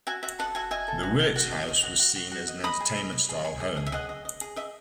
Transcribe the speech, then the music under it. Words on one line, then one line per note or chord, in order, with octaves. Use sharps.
The Willits House was seen as an entertainment-style home.
F#4 E5 G#5
F#4 E5
A4 D#5 F#5
F#4 E5 G#5
D#5 E5 G#5
A4
F#4
F#4
F#4
D#5
D#5
F#4
F#4
F#4
F#4
D#5
D#5 B5 D#6
G#4
D#5
D#5
G#4
G#4
G#4
G#4
E5
G#4 D#5 F#5
D#5
D#5
G#4
D#5 E5